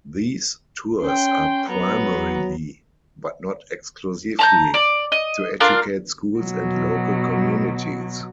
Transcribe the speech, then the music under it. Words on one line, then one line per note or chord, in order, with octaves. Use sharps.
These tours are primarily, but not exclusively, to educate schools and local communities.
C#4 G5 C6
F#3 B3 A#5
A5 A#5 G6
D5
D#5
D4 F4 A#4 F5
B2 F#3